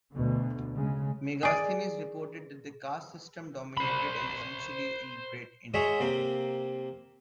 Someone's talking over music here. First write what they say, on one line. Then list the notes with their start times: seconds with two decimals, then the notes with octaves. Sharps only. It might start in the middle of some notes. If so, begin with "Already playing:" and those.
Megasthenes reported that the caste system dominated an essentially illiterate India.
0.13 D2 B2 D3
0.75 C#3 G#3
1.43 G#4 D5
3.77 C5 B5
5.74 G#3 F#4 G#4 C#5 E5
6.00 C3 A#3 C4